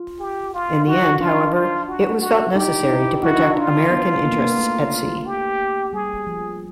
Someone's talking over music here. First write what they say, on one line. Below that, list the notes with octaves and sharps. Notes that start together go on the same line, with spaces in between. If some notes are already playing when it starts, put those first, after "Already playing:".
In the end, however, it was felt necessary to protect American interests at sea.
Already playing: F4
G4
F4
D#4 F#4
D4 F4
F4
F#4
F#4
D#4 G4
D#4
E4
E4 F#4
D#4
D4
D#4
D4 F4
B3
A#3
B3
A#3
A3
G4
G3 G#4
F3